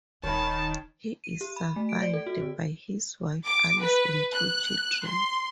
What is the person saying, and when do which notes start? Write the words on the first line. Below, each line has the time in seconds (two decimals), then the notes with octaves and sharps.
He is survived by his wife, Alice and two children.
0.23 D#1 D#3 C#5 A5 B5
1.24 D#7
1.41 G4
1.56 B5
1.76 A3
1.89 D7
2.02 D5
2.13 A4
2.26 F#4
2.41 D3
3.46 D6
3.80 B4
4.33 F#6
5.05 C6